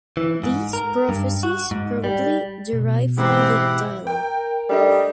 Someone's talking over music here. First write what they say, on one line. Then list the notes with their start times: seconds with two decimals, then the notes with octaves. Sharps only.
These prophecies probably derive from the "Dialog".
0.17 E3
0.44 G#2
0.73 A#4
1.09 G2
1.43 F#4
1.71 G#2
2.04 G3
2.73 B2
3.17 G#2 E3 C4 E4 G4 F#5 D6
4.07 A#4 G5
4.69 G3 A3 D4 D#5